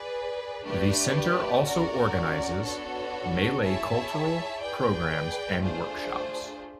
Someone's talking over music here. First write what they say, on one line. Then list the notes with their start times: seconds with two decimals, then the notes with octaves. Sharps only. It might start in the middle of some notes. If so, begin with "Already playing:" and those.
The centre also organizes Malay cultural programmes and workshops.
Already playing: G#4 B4 D5
0.65 A3 D4 G4 B4 D5
1.64 C#4 F#4 A#4 D5
2.62 B3 D4 F#4 A4 C#5
3.62 E4 G#4 C#5 E5 A5
4.61 G#4 B4 D5 G5
5.61 A3 D4 F4 G#4 C5